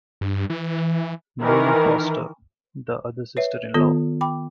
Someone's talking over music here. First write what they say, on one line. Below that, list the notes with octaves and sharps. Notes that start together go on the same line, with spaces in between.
Nona Foster - the other sister-in-law.
G2
E3
D#3 E3 A#4
B4 C#5 E5
D#3 B3 F4 A4
G5 B5 D6